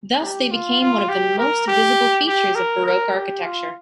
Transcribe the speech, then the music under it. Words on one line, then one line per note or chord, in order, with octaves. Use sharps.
Thus they became one of the most visible features of Baroque architecture.
G4
F4
F4
G4
A#4
G4
G4
A#4
A#4
G4
F4